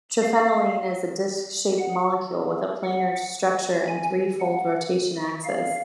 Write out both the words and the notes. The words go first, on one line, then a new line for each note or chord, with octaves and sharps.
Triphenylene is a disc-shaped molecule with a planar structure and three-fold rotation axes.
F5
F#5
F#5
G#5
F#5
F5